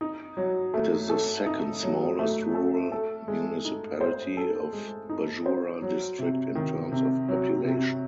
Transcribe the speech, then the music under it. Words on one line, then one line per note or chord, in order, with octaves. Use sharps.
It is the second smallest rural municipality of Bajura district in terms of population.
D#4
F#3
A3
A4
D#4
F#3
A3
A4
A4
G#3
D#4
C5
A4
G#3
D#4
C5
F#3
C3
D#3
C3
F#3
C3